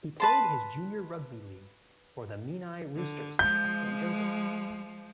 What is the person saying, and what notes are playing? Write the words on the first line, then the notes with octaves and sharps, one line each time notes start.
He played his junior rugby league for the Menai Roosters and Saint Joseph's.
B4 A5 C6
D3
F3 G#3 G6